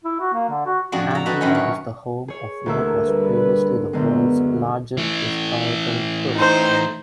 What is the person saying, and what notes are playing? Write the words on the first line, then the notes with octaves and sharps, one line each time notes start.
Antler is the home of what was previously the world's largest historical quilt.
E4
F#4
A#3
D3
F#4
F2 A2 D4 F#4 G#4 D5
A4 A#5
F#4 A4 B4 D#5 G5 A5
F#2 A2 D3 D#3 C#4 G#5
C#5
G#4 C#5
D2 E3 A3 A#3 E5
G3 B4
F#2 D3 G#3 B3
E3 A3
D#4 C5